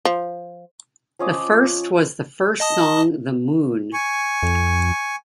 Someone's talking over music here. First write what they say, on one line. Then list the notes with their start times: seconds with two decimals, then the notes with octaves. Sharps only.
The first was the first song The Moon.
0.05 F3
1.19 F3 C#4 D#5 D6
2.60 D#5 A5 D#6
3.93 G#5 C#6
4.43 F2